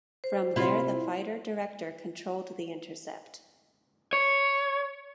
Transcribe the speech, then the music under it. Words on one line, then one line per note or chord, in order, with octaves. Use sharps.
From there the fighter director controlled the intercept.
C5
C3 E4 F4
C#5